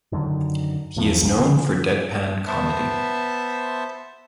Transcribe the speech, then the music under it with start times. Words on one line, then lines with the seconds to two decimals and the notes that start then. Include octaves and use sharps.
He is known for deadpan comedy.
0.12 F#2 D3 D#3
0.96 E2 A2 F3
1.23 C2 F2 G#2 C#3
1.37 D3 E3 F3
2.47 B3 C5 E5 A5